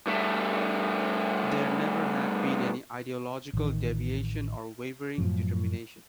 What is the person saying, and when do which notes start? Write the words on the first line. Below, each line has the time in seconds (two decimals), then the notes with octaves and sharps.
There never had been any ideological deviation or wavering determination.
0.07 G2 A3
3.53 A1 D#3
5.18 F#2 A2 F3